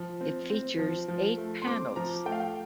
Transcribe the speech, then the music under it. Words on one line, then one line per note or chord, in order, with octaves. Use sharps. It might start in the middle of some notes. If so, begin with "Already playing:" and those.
It features eight panels.
Already playing: F3
C4
C4
F3
F3
A3
C6
C4 D6
F3 A#5
A3 G5
F5
G5